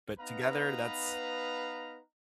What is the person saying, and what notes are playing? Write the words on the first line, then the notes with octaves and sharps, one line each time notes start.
but together, that's
B3 D#4 B4 F5 A#5